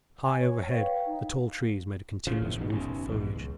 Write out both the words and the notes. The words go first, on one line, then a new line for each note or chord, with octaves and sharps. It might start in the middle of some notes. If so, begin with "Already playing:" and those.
High overhead, the tall trees made a continuous roof of foliage.
G#5
C#5
B4 F5 G5
D#4
C#3 F3
D#1 A#1 E2
A#1 E2 G#2 B2
F#1 B1 C#4
A#1 E2 G#2
C#2